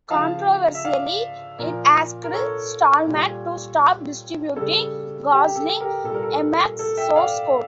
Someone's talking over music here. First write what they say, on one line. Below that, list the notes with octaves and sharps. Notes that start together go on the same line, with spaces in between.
Controversially, it asked Stallman to stop distributing Gosling Emacs source code.
C#3 F3 F5 A5
E5
D5 F5
A#2 F3 A#4 D5
A#4
A4 C#5
A#2 G3
C#3 G3 A4
G4
A4
G4 A#4
A#2 A4
G3 A#4
A4
A4
E5 G5
D5 F5